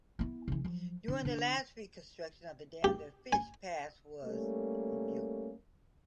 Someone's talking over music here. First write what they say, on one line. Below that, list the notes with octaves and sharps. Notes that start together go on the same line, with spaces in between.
During the last reconstruction of the dam the fish pass was rebuilt.
B3 E4
C#3 E3
F3 F#3
D3
D3
G4
G#5
G3 A3 A#3 C#4